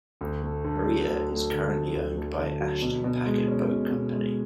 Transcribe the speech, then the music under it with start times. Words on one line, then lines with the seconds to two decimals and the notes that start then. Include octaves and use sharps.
"Maria" is currently owned by Ashton Packet Boat Company.
0.21 D2
0.43 A3
0.64 D3
0.86 F#3
1.07 D2
1.30 A3
1.51 D3
1.73 F#3
1.95 D2
2.18 A3
2.38 D3
2.60 F#3
2.82 B2
3.04 B2
3.26 G#3
3.48 C#4
3.69 B2
3.91 B2
4.13 G#3